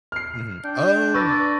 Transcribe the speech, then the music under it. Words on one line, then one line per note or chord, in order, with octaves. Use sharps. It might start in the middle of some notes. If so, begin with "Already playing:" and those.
Mhm. Um,
F6 C7
D4 G5
B4 D5 C#6 E6 A#6